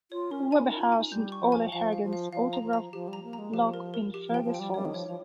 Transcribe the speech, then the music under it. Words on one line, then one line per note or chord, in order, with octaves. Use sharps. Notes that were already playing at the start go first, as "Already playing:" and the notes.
Webber house and Ole Hagen's Autograph Block in Fergus Falls.
F4 C#5
C#4 A#4
C#4 G#5
D#4 A#4
F4
G#5
D#4
G3 G6
C#6
F3
G#5
F3 F5
F5
F3
F5
F3 F5
A#5
F3
A#5
F3 G4
G3 A#5
A#3
A#5
G#3
F3 G4
A#4
A#4
G4
F3
G5
F3
G5
G3
G3 C#5
D#3
F3 C#5
F3